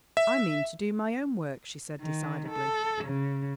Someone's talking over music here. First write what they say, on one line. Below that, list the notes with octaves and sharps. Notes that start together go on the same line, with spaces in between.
"I mean to do my own work," she said decidedly.
E5
D#3
A4
C#3